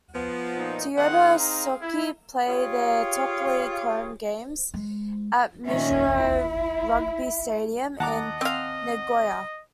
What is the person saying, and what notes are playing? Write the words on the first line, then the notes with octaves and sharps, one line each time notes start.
Toyota Shokki play their Top League home games at Mizuho Rugby Stadium in Nagoya.
F3 B3
A#2 D#4
D#3 C4 D#4 G#4 F5 F#5
D#4 A#5
E4
F4 G4 G#4 C#5 F5
G#3
A#2 D#3 C#4 E5
E4
D#2 D#5 F#5 A5 A#5 D6 A6
C4 F5